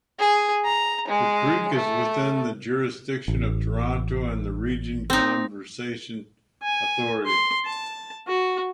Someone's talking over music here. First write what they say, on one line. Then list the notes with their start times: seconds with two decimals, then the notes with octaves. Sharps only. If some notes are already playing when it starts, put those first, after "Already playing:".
The creek is within the jurisdiction of the Toronto and Region Conservation Authority.
0.20 G#4
0.65 A#5
1.08 G#3
1.74 A3
3.28 A1
5.10 C4 D#4
6.62 G#5
7.26 C6
7.66 A5
8.28 F#4